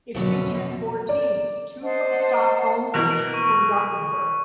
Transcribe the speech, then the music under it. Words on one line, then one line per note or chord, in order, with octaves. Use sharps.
It featured four teams, two from Stockholm and two from Gothenburg.
F2 B2 D3 F#3 A3
D5
C5 D#5 F#5 A5
B2 E3 A#4
C#6